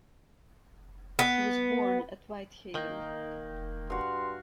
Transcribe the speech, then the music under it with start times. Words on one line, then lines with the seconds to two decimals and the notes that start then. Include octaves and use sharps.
He was born at Whitehaven.
1.19 B3
2.75 D#3 A#3 D#4 G5
3.90 G2 F#4 F5 C6